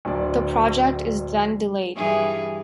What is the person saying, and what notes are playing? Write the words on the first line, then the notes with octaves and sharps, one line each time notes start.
The project is then delayed.
D1 D4 D5
G2 E3 G#4